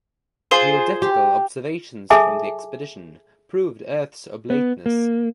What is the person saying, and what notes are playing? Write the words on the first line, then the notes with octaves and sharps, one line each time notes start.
Geodetical observations from the expedition proved Earth's oblateness.
F4 G#4 C5
G4
G#4 A4 E5 G#5 A5 D6
B3
A#3